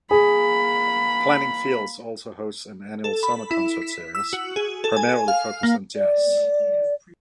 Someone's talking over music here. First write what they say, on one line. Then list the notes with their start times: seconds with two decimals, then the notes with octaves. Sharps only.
Planting Fields also hosts an annual summer concert series, primarily focused on jazz.
0.11 A#3 G#4 B5
3.04 A4
3.23 B5
3.51 E4
3.82 B6
4.15 E6
4.33 F#4
4.56 G#4
4.84 A4
4.97 G#5
5.28 F5
5.63 A#3
5.95 D5